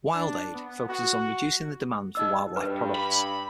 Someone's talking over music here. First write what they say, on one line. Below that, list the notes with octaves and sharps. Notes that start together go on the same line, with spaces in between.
WildAid focuses on reducing the demand for wildlife products.
D4
B3
F#4
D#4 D#5 E6
G2 B4
B5